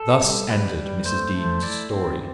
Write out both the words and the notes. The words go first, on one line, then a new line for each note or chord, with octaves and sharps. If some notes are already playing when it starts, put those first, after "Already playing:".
Thus ended Mrs. Dean's story.
Already playing: A4
G3
G3 B4
G3
A3 C5
A3
E4 D5
C4